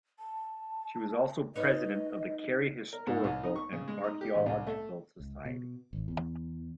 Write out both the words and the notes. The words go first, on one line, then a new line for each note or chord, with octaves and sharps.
She was also President of the Kerry Historical and Archaeological Society.
A5
D#4 B4 C#5 D#5
A#4
G#2
C2
D#4
C#6
C#3
G#3
D#4
G4
A1
C2
A3
C#2
B2
G#1
E2